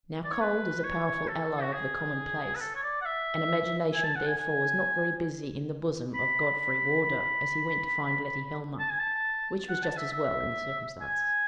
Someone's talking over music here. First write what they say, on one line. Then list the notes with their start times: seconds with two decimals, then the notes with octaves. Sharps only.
Now cold is a powerful ally of the commonplace, and imagination therefore was not very busy in the bosom of Godfrey Wardour as he went to find Letty Helmer, which was just as well, in the circumstances.
0.24 D5
0.32 C#5
0.40 B4
0.84 C#5
1.06 C#5
1.28 A4
1.62 F#4
1.73 G#4
2.55 B4
2.61 A4
2.75 C#5
2.83 D5
3.01 F#5
3.05 E5
3.94 G#5
4.04 A5
4.16 F#5
4.27 G#5
4.38 G#5
6.14 B5
6.59 B5
7.03 B5
8.79 A5
8.90 G#5
9.00 A5
9.69 F#5
9.83 A5
9.97 E5
10.12 E5
11.01 G#5